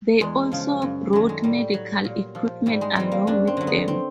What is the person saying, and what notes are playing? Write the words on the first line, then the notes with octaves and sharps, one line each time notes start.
They also brought medical equipment along with them.
E2 G#3
C#3 F3
F#2
D#3 F#3 A3
G#3
A2 G3
F#3
A#2
F3
G#2 G3
G#3
E3 G3 C4
A#3
F#2 D4
C4
D3 F#3
B3
C4